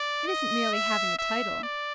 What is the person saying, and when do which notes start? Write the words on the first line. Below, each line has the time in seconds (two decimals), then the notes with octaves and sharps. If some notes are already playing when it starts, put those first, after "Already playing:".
It isn't merely having a title.
Already playing: D5
0.27 D#5
0.73 E5
1.18 E5
1.63 D5